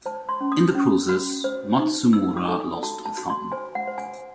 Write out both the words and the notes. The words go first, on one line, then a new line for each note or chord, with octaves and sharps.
In the process, Matsumora lost a thumb.
C5 A5
C6
C#4
D#6
C#4
F#4
C5
D#4
D#4 E6
D#6
A4
G#5
F#4 A5
A5
F#4
C6
C5 G#5
F#5
C5
G#5